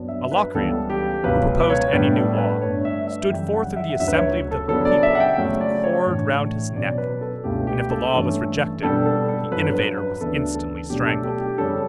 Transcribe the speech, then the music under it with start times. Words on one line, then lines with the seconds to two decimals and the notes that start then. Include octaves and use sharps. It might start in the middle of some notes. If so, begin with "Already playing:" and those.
A Locrian, who proposed any new law, stood forth in the assembly of the people with a cord round his neck, and if the law was rejected, the innovator was instantly strangled.
Already playing: G2 F#3 B3 D4
0.08 E5
0.31 B4
0.54 C#2 C#3 E3 G3 B3 A4
0.90 G4
1.23 C#2 B2 F#3 B4
1.60 B4
1.70 C#5
1.92 A2 G3 B3 D4 B4
2.16 A4
2.38 B4
2.62 G2 D3 A3 D4 C#5
2.85 E5
3.07 E5
3.30 F#2 C#3 E3 G3 G5
3.53 F#5
3.76 E5
3.90 F#5
4.00 D2 C#3 F#3 E5
4.08 B4
4.16 C#5
4.51 A4
4.68 C#3 F#3 B3 D4 A4
4.85 D5
5.03 E5
5.15 F#5
5.20 G5
5.37 C#3 F#3 A3 C#4
5.61 D5
5.84 C#5
6.06 A2 E3 A3 D4
6.76 B2 F#3 C#4 D5
6.98 B4
7.21 A4
7.44 C#2 B2 A3 D4 G4
7.67 G4
7.90 A4
8.13 G2 E3 A3 C#4
8.82 B2 G3 B3 D4 A4
9.06 A4
9.29 A4
9.51 G2 F#3 C#4 B4
9.74 B4
9.98 B4
10.20 D2 C#3 E3 B3 D4 A4
10.55 A4
10.90 B2 F#3 A3 D4 G4
11.06 A4
11.24 G4
11.41 G4
11.58 C#3 G3 C#4 A4